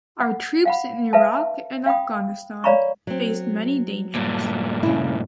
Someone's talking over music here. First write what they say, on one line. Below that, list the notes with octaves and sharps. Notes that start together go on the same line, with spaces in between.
Our troops in Iraq and Afghanistan faced many dangers.
F#5
F5 F#5 B5
B4 E5 F5 A5
F5 G5 B5 D#6
C#5 D5 F5 A#5 B5 C#6
F#3 C4
G2 A#2
C#3 E4